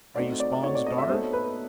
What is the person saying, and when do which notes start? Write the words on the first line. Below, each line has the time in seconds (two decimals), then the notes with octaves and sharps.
"Are you Spawn's daughter?"
0.16 A3 C4 D#4 F#4 D5
0.40 D5
0.63 A3 C4 D#4 F#4 C#5
0.75 D5
0.86 D#5
0.98 E5
1.09 B3 D#4 F#4 A4 C5 C#5
1.33 B4